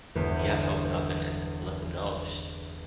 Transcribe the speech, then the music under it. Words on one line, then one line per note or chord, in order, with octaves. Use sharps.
you have to open up and and let them know sh
G1 E2 B3